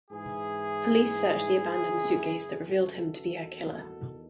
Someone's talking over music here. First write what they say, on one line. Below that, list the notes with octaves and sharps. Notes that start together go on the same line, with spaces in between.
Police searched the abandoned suitcase that revealed him to be her killer.
G#2 E3 E4 G#4
F#2 C#3 E3
F#4 A4
E2 D#3